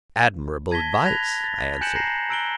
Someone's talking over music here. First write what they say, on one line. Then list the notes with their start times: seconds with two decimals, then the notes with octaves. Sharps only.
"Admirable advice," I answered.
0.71 A5 G#6 A#6 B6 G7
1.05 B5 F#6 G#6 A#6 B6 F7
1.40 A6 A#6
1.81 G#5 F#6 G6 C#7 E7 F#7
1.95 A#5 A#6 C7
2.29 A#5 E6 F#6 D7 F#7 G7